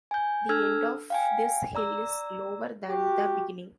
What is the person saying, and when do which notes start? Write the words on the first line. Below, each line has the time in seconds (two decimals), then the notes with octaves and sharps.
The end of this hill is lower than the beginning.
0.11 G#5 G6
0.49 D4 A4 E6 F6 G#6
1.10 F5 G5 G#5
1.75 D5 A#5 E6
2.89 F#4 G4